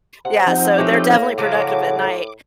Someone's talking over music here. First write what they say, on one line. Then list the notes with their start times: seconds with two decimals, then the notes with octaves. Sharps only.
yeah, so they're definitely productive at night.
0.25 C3 F#5
0.47 F3 C4 D#4
0.78 A2 G#3 A3 G4
1.12 A#3
1.38 C#3 F3 F#3 D6